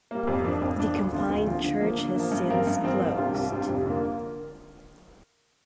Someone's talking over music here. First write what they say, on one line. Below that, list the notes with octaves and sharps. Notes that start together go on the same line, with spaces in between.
The combined church has since closed.
G3 A#3
F2
F3 D4
F2
F3 D4
D2
D3 F3 C4 F4
D2
D3 F3 C4 F4
D3
F3 A#3
D3
F3 A#3
G2
F3 C4 F4 A#4
G2
F3 C4 F4 A#4
C2
C3 G3 D4 F4
C2
C3 G3 D4 F4
F2
D3 A#3 F4 A#4